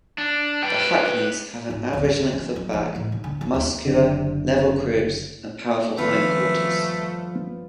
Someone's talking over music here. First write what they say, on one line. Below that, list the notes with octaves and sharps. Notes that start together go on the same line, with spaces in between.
The Hackneys have an average length of back, muscular, level croups, and powerful hindquarters.
D4
B4 G5
G#1
D2
B3
D2
E3
F#3
E3
A2
B1
D2
C#4
D#2
F#1 D3
G2 D#3 F3 A3 B3 C4 F4 B4